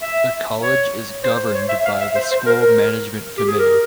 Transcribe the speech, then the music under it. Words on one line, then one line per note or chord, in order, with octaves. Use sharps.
The College is governed by the School Management Committee.
E5
C#5
C5
C#5
E5
F5
E5
C5
C5
A#4
A#4
G4
G#4
A#4